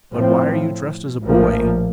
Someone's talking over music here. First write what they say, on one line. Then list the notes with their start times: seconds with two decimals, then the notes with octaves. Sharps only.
"But why are you dressed as a boy?"
0.12 A2 F3 C4
1.22 A#1 A2 F3 A#3